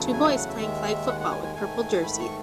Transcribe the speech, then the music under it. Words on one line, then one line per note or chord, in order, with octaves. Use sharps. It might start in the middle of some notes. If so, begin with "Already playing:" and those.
Two boys playing flag football with purple jerseys.
Already playing: E2 C#3 F#3 A3
G#5
E5
F#5
E5
D#2 D#3 G#3
F#5
F#5
G#5
G#5
G#2 D#3 A3 G#5
B5
C#6